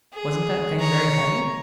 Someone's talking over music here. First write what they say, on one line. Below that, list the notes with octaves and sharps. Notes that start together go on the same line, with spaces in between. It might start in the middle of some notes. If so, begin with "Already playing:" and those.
"Wasn't that thing very heavy?"
G#4
C#5 A#5